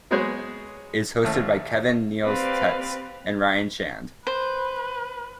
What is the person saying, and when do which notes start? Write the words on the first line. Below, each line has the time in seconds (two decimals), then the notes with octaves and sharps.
It is hosted by Kevin Neils Tetz and Ryan Shand.
0.11 F#3 G#3 B3 G#4 C5 C#5
1.24 A1 D#2 A3
2.23 C4 G4 B4 D5 F5
4.27 B4 C5